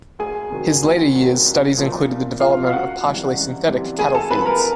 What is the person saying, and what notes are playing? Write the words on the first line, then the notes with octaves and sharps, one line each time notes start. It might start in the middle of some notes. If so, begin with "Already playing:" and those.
His later years studies included the development of partially synthetic cattle feeds.
D2 G#4 G#5
C3 D#3 F#3
D2
C3 D#3 F#3
C2
A#2 F3
C2
A#2 F3 F4 F5
F5
C#2 F#4 F#5
C3 E3 G3
C#2
C3 E3 G3
D2 G#4 G#5
A4 A5
C3 F3 B4 B5
A#4 A#5